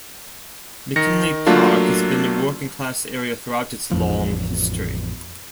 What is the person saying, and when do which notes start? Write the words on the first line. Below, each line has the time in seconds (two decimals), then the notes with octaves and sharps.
McKinley Park has been a working-class area throughout its long history.
0.96 D#3 A#6 C#7
1.46 F#3 A3 A#3 D4 F4
3.91 A1 F2 F3